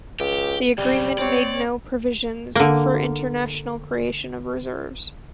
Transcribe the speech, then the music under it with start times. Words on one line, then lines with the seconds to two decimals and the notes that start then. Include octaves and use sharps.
The agreement made no provisions for international creation of reserves.
0.20 C#2 G4
0.78 B1 C#3 G3
1.18 C4 C#5 D5
2.56 D3 A#3